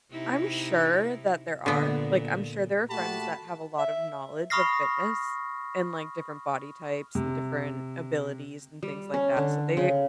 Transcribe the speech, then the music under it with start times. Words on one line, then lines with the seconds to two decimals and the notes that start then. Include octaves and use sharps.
I’m sure that there are. Like, I’m sure there are friends that have a lot of knowledge of fitness, and, like, different body types and different abilities, and things like that. So, they
0.12 C3 D#4 E4
1.66 A#2 D3 B3
2.90 A#2 A3 F#4 G4 A5 B5
3.78 E5
4.50 B5 C#6 D#6 F6 A#6 C7
7.15 C3
8.83 G3
9.14 C#4
9.37 D3
9.77 C#3